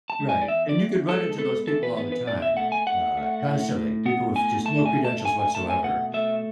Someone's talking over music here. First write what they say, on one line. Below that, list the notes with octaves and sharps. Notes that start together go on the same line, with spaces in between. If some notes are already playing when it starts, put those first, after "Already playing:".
Right, and you could run into those people all the time, uh, constantly, people with just no credentials whatsoever,
A5
G#3
G#5
D5
E2 E5
D5
E2
G#3 A4
B3 A4
E3 A4
B4
B3 B4
B4
B2 D5
E5
A3 F#5
G#5
A3 F#5
A3
A2
A2
B3 F#5
A2 G#5
A3 A5
G#5
A3
A5
A3 G#5
G#5
A3 A5
G#5
B2 F#5
A3 E5